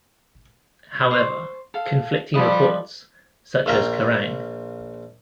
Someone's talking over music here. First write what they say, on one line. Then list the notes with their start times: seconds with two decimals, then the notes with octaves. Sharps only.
However, conflicting reports, such as Kerrang!
1.11 C5 C#6 D6
1.74 A4 F5
2.34 F3 G3 A4 B4 D#5
3.66 A#1 F4 A#4 G5